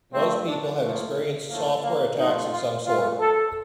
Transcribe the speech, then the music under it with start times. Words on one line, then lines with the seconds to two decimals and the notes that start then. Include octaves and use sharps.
Most people have experienced software attacks of some sort.
0.11 G2 F3 A3 C4
0.45 D4
0.79 A2 F3 A3 A#3
1.49 A2 F3 A3 A#3
1.82 A#3
2.17 C3 F3 A3 D#4
2.51 F4
2.85 A#2 A3 F4
3.20 A4